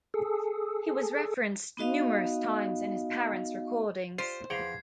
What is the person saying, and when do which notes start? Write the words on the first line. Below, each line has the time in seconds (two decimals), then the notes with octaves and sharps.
He was referenced numerous times in his parents' recordings.
0.14 G#4 A4
1.77 B3 D#4 F#4 D#5 F5
4.18 F4 G4 C5
4.50 E2 F3 F#5 G5 A#5 G#6 C7